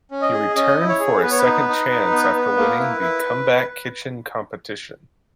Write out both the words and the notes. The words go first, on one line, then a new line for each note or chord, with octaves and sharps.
He returned for a second chance after winning the Comeback Kitchen competition.
C#4
D#5
G#4
C#4 D#5
E4
C#5
G#4
B3 B4
C#5
B4
D#4
D#4
D#4
B3
B3
A#3
E4
E4